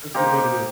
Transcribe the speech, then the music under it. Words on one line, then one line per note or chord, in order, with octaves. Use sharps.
That's a good way to do it.
A#3 D#4 G4 C5